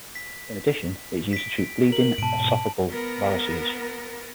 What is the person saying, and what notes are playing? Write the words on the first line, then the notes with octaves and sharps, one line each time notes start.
In addition, it is used to treat bleeding esophageal varices.
B6
B6 D7
A#4 F#7
G#2 B2 A5 D7
B3 A#4